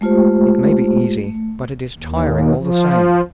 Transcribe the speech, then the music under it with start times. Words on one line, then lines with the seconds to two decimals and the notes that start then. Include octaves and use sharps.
"It may be easy, but it is tiring all the same."
0.01 G#3 A3 F4 G4 C5
1.24 A3
1.98 D#2
2.57 F3